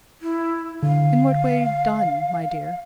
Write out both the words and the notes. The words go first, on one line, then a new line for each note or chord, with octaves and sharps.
"In what way 'done,' my dear?"
E4
D3 F5